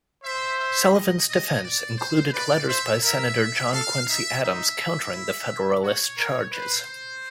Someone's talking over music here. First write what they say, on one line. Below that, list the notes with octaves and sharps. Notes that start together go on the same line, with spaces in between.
Sullivan's defense included letters by Senator John Quincy Adams countering the Federalist charges.
C5 E5
E5
D#5
D#5
D5
C5
B4 D5
C5 E5
A#4 E5
A4 F5
D#4 E5
D#4 E5
E4
F#4 C#5
A#4
B4 C5